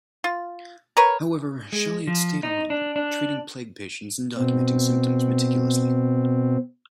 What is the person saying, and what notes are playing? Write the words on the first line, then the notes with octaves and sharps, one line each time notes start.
However, Chauliac stayed on, treating plague patients and documenting symptoms meticulously.
F4
A#4 B4 C#5
G#3
F3
D#4
D4
D4
B2 C4